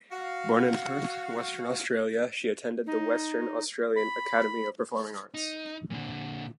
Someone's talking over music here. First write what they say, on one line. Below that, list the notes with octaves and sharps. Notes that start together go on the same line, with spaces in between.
Born in Perth, Western Australia, she attended the Western Australian Academy of Performing Arts.
F#4 F5
D#4
B5
D#4
A#2 D3